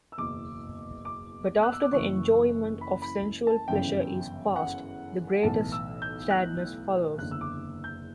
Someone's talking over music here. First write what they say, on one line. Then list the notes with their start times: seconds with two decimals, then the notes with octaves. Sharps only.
But after the enjoyment of sensual pleasure is past, the greatest sadness follows.
0.12 E6
0.18 F#1 E2 B2 D6
1.05 D6
1.63 F#6
1.73 E6
1.83 D6
1.93 F#1 F#2 E3 C#6
2.81 B5
3.02 B5
3.47 A5
3.68 G1 F#2 C#3 E3 G5
4.56 F#5
5.43 B1 A2 E3 A5
5.72 E6
6.02 G6
6.31 F#6
7.18 F#1 E2 D3 F#6
7.31 E6
7.41 D6
7.84 G6